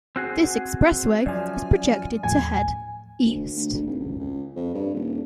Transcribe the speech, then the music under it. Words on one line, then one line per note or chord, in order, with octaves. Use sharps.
This expressway is projected to head east.
C4 F#4 G#4
F#2 F3 D5 G#5
D#2 A2 F3 G#5
D2
D2
D2
G#1
C#2
C#2
F2
G2
D#1